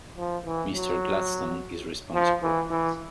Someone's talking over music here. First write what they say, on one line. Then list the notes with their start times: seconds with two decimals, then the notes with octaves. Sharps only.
Mr Gladstone is responsible.
0.18 F3
0.46 E3
0.74 F#3
2.14 F3
2.43 E3
2.70 E3